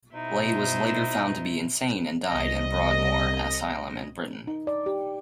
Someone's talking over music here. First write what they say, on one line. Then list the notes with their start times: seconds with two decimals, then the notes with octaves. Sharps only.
Ley was later found to be insane and died in Broadmoor Asylum in Britain.
0.15 B2 D#4 E4 C5
2.26 C2 D#5 A#6
4.47 D#4
4.67 D5
4.86 G4